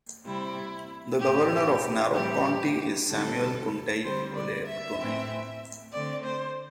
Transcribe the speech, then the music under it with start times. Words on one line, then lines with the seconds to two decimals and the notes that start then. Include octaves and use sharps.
The governor of Narok county is Samuel Kuntai Ole Tunai.
0.24 C3 G3 C4 E4
1.19 A2 A3 C4 G4
2.13 A2 E3 G3 C4 G4
3.08 D3 G3 C4 A4
4.03 D3 G3 C4 C5
4.34 D5
4.66 E5
4.97 A2 E3 C4
5.92 D3 A3 C4 D5
6.23 C5